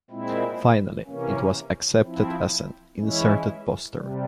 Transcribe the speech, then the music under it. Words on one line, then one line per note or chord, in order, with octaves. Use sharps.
Finally it was accepted as an inserted poster.
A#2 G#3 C4 E4
C3 E3 A#3 C#4
F3 C4 E4
E3 G#3 C#4 E4
C3 G3